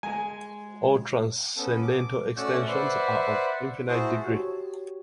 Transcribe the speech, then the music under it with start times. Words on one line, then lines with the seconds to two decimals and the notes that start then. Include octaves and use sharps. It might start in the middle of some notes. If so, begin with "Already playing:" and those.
All transcendental extensions are of infinite degree.
0.03 G#3 G#5
1.57 B3 C#4 A4
1.82 D6
2.37 A3 C#4 F#4 D5 F#5 E6
2.67 B4 C5 D5 E5 F#5
3.88 E4 F#4 G#4 C5 A5
4.25 F#4 G4 C#5